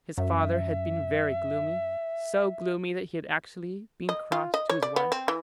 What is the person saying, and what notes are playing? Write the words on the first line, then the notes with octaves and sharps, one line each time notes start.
His father had been very gloomy--so gloomy that he had actually been cross to his wife.
F#2 E5
D#5
F4
D#5
C#5
D5
B3
C4
E3